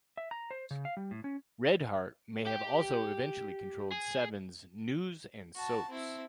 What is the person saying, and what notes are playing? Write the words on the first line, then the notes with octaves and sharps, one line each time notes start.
Red Heart may have also eventually controlled Seven's news and soaps.
E5
A#5
C5
C#3
F5
G3
A2
C#4
G4
G#4
F#4 A5
C4 E4